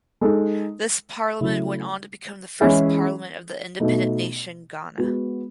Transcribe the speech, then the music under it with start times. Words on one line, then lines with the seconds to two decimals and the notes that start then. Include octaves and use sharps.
This parliament went on to become the first parliament of the independent nation Ghana.
0.21 G#3 D#4 A4
1.41 C#3 F#3 A3 E4
2.61 E3 G#3 C#4 E4 G#4
3.80 B2 A3 D#4
4.98 G#3 B3 F#4